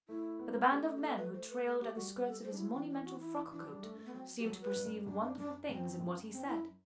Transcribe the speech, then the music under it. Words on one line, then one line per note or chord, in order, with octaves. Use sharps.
But the band of men who trailed at the skirts of his monumental frock-coat seemed to perceive wonderful things in what he said.
A3 E4
B3
C4
B3
A3 G4
A4
G4
A4
B4
C5
B4
A3 A4
G4
G3 F#4
A4
C5
D4
F#3 E4
E3 C4
D4
F#4
E4
E3 D4
F#3
G3
A3
A3
B3
F#3 C4
G4
F#3 A4
B4
G2
F#2
F#2 D4
D4
F#2 D4
F#2 C4
F#2
C4
E4